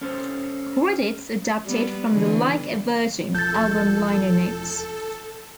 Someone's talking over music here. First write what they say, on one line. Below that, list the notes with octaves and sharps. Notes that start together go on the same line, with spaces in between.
Credits adapted from the "Like a Virgin" album liner notes.
C#4 A4 C5
G3 B3
D3 E3
E1 A#1 F3 A4 G6 A6